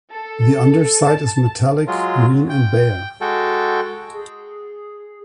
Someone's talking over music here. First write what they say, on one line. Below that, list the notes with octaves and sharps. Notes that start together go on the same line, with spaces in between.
The underside is metallic green and bare.
A4
A5
F#3 G#3 F4
G5
G#3 F#4 A4 G5
G#4